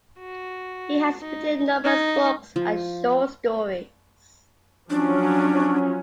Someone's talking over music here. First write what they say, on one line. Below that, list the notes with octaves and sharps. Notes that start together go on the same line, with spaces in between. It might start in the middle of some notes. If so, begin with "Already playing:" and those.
He has written numerous books and short stories.
F#4
D#4
D#4
F3
F3 F#3 C#4 D4